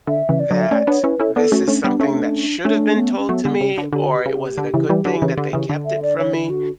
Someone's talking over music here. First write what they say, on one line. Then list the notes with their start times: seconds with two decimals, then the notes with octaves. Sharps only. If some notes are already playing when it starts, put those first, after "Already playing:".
that this is something that should have been told to me or it was it a good thing that they kept it from me,
0.07 D3 E5
0.29 C#3 E3
0.40 D5
0.51 D3 F#3
0.61 E5
0.71 A3 C#4 D5
0.87 B3 D4 C#5
1.04 C#4 E4 B4
1.20 C#4 E4 A4
1.35 B3 D4 A4
1.52 A3 C#4 F#4
1.68 A3 C#4 D4
1.84 G3 B3 D4
2.00 A3 C#4
2.65 A3 C#4 D4
2.97 B3
3.18 C#4
3.29 F#3 A3 B3
3.45 D3
3.61 C#3
3.78 D3
3.93 D3 G4
4.03 F#4
4.12 G4
4.25 C#3 G4
4.58 D3
4.74 C#3 E3
4.89 E3 G3
5.05 D3 F#3
5.22 C#3 E3
5.37 D3
5.53 C#3 E3
5.70 D3
5.85 E5
6.02 D5
6.18 C#5
6.34 E4
6.50 F#4